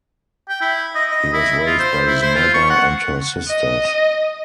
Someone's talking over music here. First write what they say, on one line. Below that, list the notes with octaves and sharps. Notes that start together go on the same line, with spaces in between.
He was raised by his mother and her sisters.
G5
E4
D#5
D#5
E4
F4
C5
E4
C5
F4
C#6
F#5
D#5